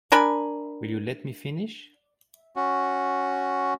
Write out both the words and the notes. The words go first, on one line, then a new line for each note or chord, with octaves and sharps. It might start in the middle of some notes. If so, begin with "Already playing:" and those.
Will you let me finish?
D4 A#4 G#5 B5
C#4 F#4